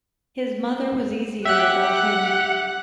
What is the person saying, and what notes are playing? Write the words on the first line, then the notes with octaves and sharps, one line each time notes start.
His mother was easier about him.
G4 E5 F#5 F#6